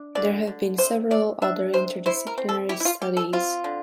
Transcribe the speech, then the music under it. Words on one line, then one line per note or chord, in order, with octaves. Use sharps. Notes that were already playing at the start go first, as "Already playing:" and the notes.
There have been several other interdisciplinary studies.
Already playing: D4
D3 D5
D3
C3 C5
C3 D5
D4 E5
C3 C5
E4 C5
A#4
C4
A4
E4 G4
E4
F4
G3 G4
A4
C4 F4
D3